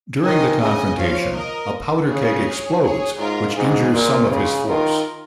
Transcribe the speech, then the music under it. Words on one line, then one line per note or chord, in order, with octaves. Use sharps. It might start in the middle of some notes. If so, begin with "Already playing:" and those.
During the confrontation, a powder keg explodes which injures some of his force.
D#3 D#5 G#5
C#3 D#5 G#5
F3 C#5 F5
A#4 D#5
C#3 G#4 C#5
G#4 C#5
G#2 F4 A#4
G#2 G#4
A#2 F4
C#3 G#4
D#3 F4 A#4